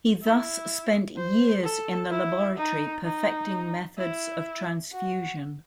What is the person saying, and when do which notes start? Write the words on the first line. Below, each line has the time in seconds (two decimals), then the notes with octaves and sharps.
He thus spent years in the laboratory perfecting methods of transfusion.
0.22 E4
1.17 C5
1.63 A4
2.10 E4
2.57 D#4
3.04 D#4
3.98 E4
4.92 F#4